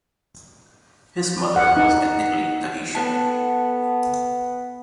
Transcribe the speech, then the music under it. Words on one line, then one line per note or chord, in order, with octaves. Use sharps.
His mother was ethnically Tahitian.
F#5
D#4
B3 A4 F#5 A5